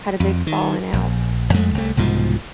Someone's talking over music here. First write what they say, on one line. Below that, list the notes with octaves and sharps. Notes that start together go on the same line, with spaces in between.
had a big falling out.
F2
D#3
A#1
F2 G#3 A3
C2 A3
C2 G#2 B2 F3